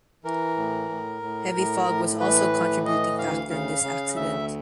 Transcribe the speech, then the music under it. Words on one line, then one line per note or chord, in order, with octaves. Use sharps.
Heavy fog was also a contributing factor in this accident.
E3 A#4
A2
A2
A2
A2
A2
E3 B4
A2
E3 D#5
D2 F5
C#3 F5
C#3
D2 E5